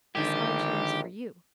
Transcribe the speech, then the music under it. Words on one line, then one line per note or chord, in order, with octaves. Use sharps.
This armchair is for you.
A#1 D3 D#3 G#3 G4